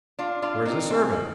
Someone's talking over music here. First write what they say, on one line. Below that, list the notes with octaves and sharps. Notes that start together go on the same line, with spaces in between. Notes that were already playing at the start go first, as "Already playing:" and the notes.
Where's the servant?
D4 F4
D4 F4
C4 D#4
G#3 C4
D#3